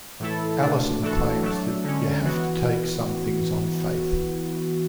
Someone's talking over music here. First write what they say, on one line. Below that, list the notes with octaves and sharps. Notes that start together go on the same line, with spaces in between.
Allison claims that "you have to take some things on faith".
A2 E3 A3 E4 A4
B2 A3 D4
E3 A3 D4 F#4 A4
F#3 A3 D4 A4
D3 G#3 C#4
E3 B3 F#4